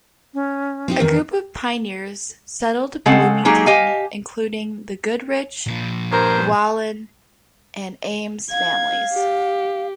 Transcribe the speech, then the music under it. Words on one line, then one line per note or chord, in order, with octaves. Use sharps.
A group of pioneers settled Bloomington, including the Goodrich, Whalon, and Ames families.
C#4
C4 D#4 G4
E2 D#3 A#4
C#3 G#3 C4 A4 F#5
F#3 G#3 A#3 D#4 G4 G#4
G4 D#5 F5 G#5
A#2 F3
G2 A#4 C5
F5 G#6
G4